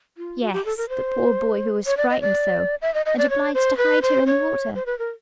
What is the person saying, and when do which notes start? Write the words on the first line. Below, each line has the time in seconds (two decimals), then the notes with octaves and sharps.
'Yes, the poor boy who was frightened so, and obliged to hide here in the water.'
0.17 F4
0.41 F#4
0.53 G4
0.65 A4
0.77 A#4
0.89 C5
1.86 C#5
1.97 D5
2.10 D#5
2.21 D5
2.82 E5
2.94 D#5
3.06 D#5
3.18 D5
3.30 C#5
3.54 C5
3.78 B4
4.02 C5
4.27 C#5
4.75 C5
4.86 B4
4.99 A#4